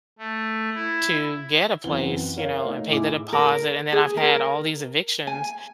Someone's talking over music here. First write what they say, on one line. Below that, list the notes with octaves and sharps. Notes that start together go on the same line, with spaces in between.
to get a place, you know, and pay the deposit, and then I've had all these evictions.
A3
E4
F#2 E3 B3 C4 F#5 G7
A#4 C#5 F5
A3 D#4
A2 E4 G#4 D6
A#4
G#4
A#4
G#5